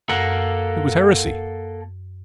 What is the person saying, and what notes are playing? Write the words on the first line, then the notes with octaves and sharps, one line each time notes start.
It was heresy.
F#2 A#3 A4 F#5